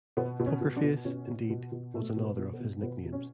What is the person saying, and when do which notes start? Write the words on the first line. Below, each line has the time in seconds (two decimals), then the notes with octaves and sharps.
"Poker Face", indeed, was another of his nicknames.
0.17 B2 B3
0.39 B2
0.46 C#4
0.61 B2
0.76 D4
0.83 B2
1.05 B2 C#4
1.27 B2
1.50 B2
1.72 B2
1.94 B2 A3
2.17 B2
2.23 B3
2.38 B2
2.53 B3
2.60 B2
2.82 B2 B3
3.05 B2
3.12 C#4